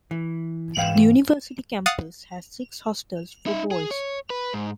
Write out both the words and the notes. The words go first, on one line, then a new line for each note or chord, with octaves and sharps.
The university campus has six hostels for boys.
E3
G#2 E3 F5 G5
F5 F#5 D#6 A6
D#4 E5
G#4
C#5
B4
G#2